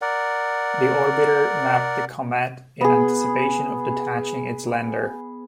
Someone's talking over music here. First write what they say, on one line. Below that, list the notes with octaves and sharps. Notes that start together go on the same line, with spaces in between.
The orbiter mapped the comet in anticipation of detaching its lander.
A#4 D5 F#5
B3 G#4